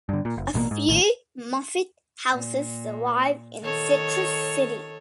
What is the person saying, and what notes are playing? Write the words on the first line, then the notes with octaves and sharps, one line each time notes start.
A few Moffitt houses survive in Citrus City.
G2 D3
A#2
F#1
A1 B2 F3 A#3
G#2
A#1 A2 D#3
A#2
D#3 A4 C#5